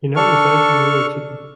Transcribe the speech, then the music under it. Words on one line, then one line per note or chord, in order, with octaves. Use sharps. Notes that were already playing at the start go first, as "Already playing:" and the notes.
He now resides in New York City.
D4 A4 C#6 F6